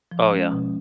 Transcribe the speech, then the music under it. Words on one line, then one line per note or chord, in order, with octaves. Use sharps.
Oh, yeah.
F3
G#3 C#4
B2